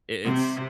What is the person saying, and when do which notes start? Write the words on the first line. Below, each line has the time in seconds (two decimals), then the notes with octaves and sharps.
i it's
0.24 C3